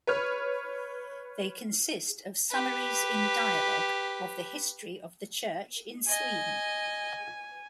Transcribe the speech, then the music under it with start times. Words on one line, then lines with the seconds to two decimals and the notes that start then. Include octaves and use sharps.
They consist of summaries in dialogue of the history of the church in Sweden.
0.07 B4 C#5 F6
2.50 G4 B4
6.08 D#5 G#5